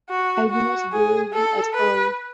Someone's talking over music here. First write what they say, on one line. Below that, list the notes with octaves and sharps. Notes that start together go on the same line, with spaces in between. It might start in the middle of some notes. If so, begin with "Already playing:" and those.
I do not believe him at all!
F#4
F#4
G#4
A4
B4